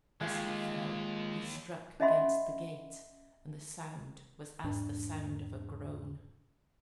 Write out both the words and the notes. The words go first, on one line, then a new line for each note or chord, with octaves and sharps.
As he fell he struck against the gate, and the sound was as the sound of a groan.
D#2 G#3 F4 G4
C#4 D#5 E5 F#5 B5 C6
E2 G#2 D4